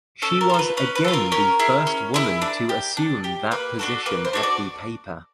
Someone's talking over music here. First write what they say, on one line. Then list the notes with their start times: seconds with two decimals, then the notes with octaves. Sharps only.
She was again the first woman to assume that position at the paper.
0.22 C#4 A4
0.41 A#4
0.50 F4 A4
0.59 B4
0.77 C#4 B4
0.95 B4
1.04 F4 A4
1.13 A#4
1.32 C#4 A#4
1.59 E4 G#4
1.87 C#4
2.14 E4 G#4
2.42 D4
2.69 G4
2.97 D4
3.24 G4
3.51 A#3 B4
3.79 D4 F#4 A4
4.06 A#3 B4
4.25 C5
4.33 D4 F#4 A4
4.43 D5